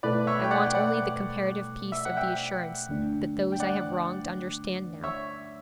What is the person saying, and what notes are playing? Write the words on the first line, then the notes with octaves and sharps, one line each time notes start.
I want only the comparative peace of the assurance that those I have wronged understand now.
B2 A3 E4 A4 B4 D5
C#5 E5
G5
D5 F#5
G5
D5 F#5
E5
F#5
E5 G5
D2 D3 A3 D4
G5
D5 F#5
C#5 E5